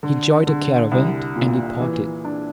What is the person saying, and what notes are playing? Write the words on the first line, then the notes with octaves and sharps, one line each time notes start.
He joined a caravan, and departed.
D3
D3
C2
A#2
E3
D4